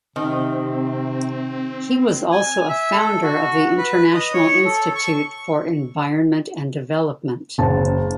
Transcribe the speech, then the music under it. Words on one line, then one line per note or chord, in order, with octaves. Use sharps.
He was also a founder of the International Institute for Environment and Development.
C3 D#3 C4
G#5
E5
A4
F#4
B4
D#5
C#5
A4
C#6
F#1 C#3 A5